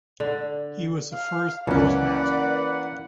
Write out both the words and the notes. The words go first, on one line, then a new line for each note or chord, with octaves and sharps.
He was the first postmaster.
D3
F5
C#2 F#2 E3 A#3 C#4 B4 D5 F#5